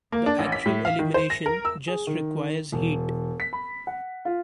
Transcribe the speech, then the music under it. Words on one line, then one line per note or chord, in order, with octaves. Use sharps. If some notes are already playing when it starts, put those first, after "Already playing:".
The actual elimination just requires heat.
A#3
D4
A1
B6
A2
F5
D#3
C5
A#6
A#4
E6
G#4
D#3
E1
B6
B5
F#5
F4